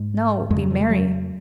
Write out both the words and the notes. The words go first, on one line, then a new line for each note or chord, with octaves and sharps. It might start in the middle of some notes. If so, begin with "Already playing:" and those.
No, be merry.
Already playing: G#2 G#3
F2 C#3 G#3
F#3
F3
G#3
F#3